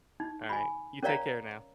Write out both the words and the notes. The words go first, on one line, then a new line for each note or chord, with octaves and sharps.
Alright. You take care now.
D#4
G#5 B5
C#4 A#4 C#5 D5 F5 A#5